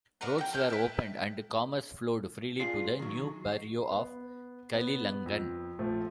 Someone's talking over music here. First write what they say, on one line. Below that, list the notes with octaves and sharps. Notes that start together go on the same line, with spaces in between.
Roads were opened and commerce flowed freely to the new barrio of Kalilangan.
D4 F#4 A#4 B4
G5 A#5
A4 A#4 G6
E4 B4
D4 F4 G#4 C7
D#3 F#3
B3
B3
F2
A#1 F3 A3